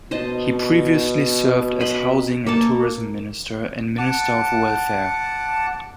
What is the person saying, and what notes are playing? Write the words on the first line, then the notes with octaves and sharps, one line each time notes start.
He previously served as housing and tourism minister and minister of welfare.
B2 C5 D#5 A5
D#5 B5 C6
A#3 A4 A5
F#5 A5 D6